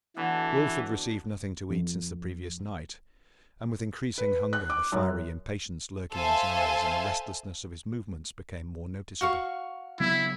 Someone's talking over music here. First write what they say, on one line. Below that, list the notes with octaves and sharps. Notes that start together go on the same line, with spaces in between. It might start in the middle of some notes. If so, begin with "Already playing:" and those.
Wolf had received nothing to eat since the previous night, and with increasing hunger the fiery impatience lurking in his eyes and the restlessness of his movements became more noticeable.
B2 D3 E3 A5
F2
B4
F#6
D6
F#2
A4 C5 E5 F5 G#5 A5
F#4 F5 C#6
C#3 F#3 B3 E4